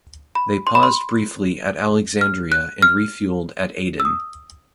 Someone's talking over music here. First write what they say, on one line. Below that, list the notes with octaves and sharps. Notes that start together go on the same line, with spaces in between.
They paused briefly at Alexandria and refuelled at Aden.
B5
C6
B5
C6
F6
F#6
F6
E6
D#6